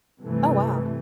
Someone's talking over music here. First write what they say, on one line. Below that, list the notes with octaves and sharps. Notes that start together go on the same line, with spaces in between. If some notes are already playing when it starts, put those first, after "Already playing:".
Oh, wow.
G2 C3 E3 A3